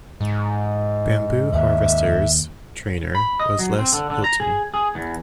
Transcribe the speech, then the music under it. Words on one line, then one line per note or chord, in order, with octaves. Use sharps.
Bamboo Harvester's trainer was Les Hilton.
G#2
D#2 E5
B5
D#5
F#3
C4
D3
D3
A#5
G#4
G#4
E2